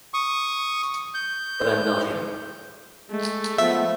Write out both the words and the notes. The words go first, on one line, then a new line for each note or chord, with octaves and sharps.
But I am not him.
C#6 D#6
G6
G#3 A3
F3 B3 E5